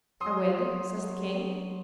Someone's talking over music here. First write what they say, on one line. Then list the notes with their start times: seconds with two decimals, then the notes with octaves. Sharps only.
"I will," says the king.
0.21 F#3 C6 D#6
0.59 F#3
0.97 F#3